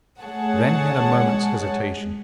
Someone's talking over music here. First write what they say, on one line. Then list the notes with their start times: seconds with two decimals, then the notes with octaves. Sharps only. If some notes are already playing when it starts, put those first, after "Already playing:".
Then he had a moment's hesitation.
0.22 A3 G#4 C#5 F#5 A5
1.13 G#3